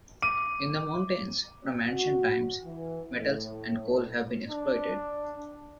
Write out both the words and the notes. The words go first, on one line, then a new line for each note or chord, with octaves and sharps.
In the mountains, from ancient times, metals and coal have been exploited.
D6 D#7
F#4
E3
A2
D4